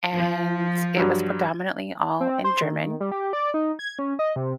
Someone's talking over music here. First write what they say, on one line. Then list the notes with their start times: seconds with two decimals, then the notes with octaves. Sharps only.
and it was predominantly all in German,
0.16 F3
0.97 G2 F#3
2.20 C4
2.44 C5
2.62 D#3
3.00 G3
3.12 G4
3.33 D5
3.54 D#4
3.79 G#6
3.99 C#4
4.19 D#5
4.36 C3